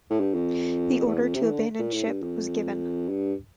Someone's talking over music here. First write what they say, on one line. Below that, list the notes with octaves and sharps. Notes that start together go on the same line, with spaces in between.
The order to abandon ship was given.
A2
G2
F2
E2
F2
C3
E3
D3
A#2
A2
G2
F2
G2